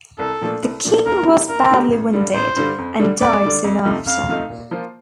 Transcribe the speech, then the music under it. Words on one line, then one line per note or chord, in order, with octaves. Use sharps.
The king was badly wounded, and died soon after.
C2 A4
A#2 F3 A3 D4
C2
A#2 F3 A3 D4
D#2 A#4
D3 A3 C4 G4
D#2 A#4
D3 A3 C4 G4
A1
G2 D3 G3
A1 C5
G2 D3 G3
F2
D3 G3
F2 D5
D3 G3
F2
C3 F3 A3 D#4
F2 F5
C3 F3 A3 D#4
A#2
F3 A#3 F4 C5